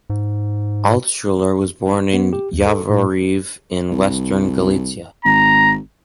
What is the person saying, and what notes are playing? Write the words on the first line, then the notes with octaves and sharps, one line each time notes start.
Altschuler was born in Yavoriv in western Galicia.
G#2
B3
G4
D#2
A4
A2
C2
G#1 A#5